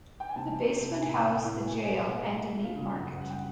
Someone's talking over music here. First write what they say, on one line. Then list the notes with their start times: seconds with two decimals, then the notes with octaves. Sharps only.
The basement housed the jail and a meat market.
0.20 G5
0.29 G#5
0.36 C3 A5
0.58 C3
0.80 C3
1.02 A2 G#5
1.23 A2
1.35 G5
1.45 A2
1.66 B2 G#5
1.83 B2 G#5
1.99 E5
2.10 B3
2.16 D#5
2.31 A3 E5
2.53 F3
2.64 F5
2.76 C#3
2.97 F#2 F#5
3.19 G3 F#5
3.30 G5